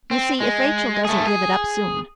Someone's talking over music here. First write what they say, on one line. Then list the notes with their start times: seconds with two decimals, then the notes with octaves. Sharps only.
You see if Rachel doesn't give it up soon.
0.11 C4
0.40 G#3
1.05 A3 G#4
1.27 G#4